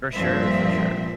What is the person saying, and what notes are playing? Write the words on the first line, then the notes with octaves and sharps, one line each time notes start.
For sure, for sure.
G2 A#2 F3 C4 E5